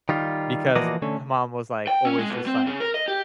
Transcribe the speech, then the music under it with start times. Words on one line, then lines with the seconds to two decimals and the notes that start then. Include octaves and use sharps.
because m mom was, like, always just, like,
0.09 D#3 G3 F4
0.76 E3 F3 A#3 F#4 D5 D#5
1.02 D3 A3 C#4
1.88 G5
2.05 C#4
2.18 G#3
2.30 B2
2.47 C4
2.66 C#3
2.80 A#4
2.94 D#5
3.08 G4